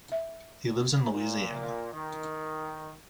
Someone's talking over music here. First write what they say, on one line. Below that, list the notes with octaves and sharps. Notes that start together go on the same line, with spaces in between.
He lives in Louisiana.
E5
A#2
D#3